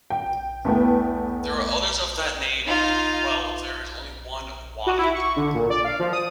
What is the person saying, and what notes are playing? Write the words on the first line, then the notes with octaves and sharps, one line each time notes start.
There are others of that name, while there is only one Watty.
G5
E2 A3 B3 G5
D#4 F4
F#4
E4
C#6
D3
A#2
D5
F5
F3
D#6